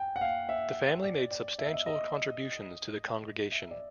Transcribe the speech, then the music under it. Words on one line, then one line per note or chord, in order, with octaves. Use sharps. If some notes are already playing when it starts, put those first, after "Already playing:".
The family made substantial contributions to the congregation.
Already playing: G5 G#5
F#5
F5
E5
D5
D5
E5
D#5
E5
D#5
E5
D5